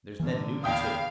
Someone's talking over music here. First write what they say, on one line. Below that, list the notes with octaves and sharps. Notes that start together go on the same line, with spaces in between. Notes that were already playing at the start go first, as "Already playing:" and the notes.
There's Ned Newton, too.
A#2 D3 E3
E2 F5 G5 D#6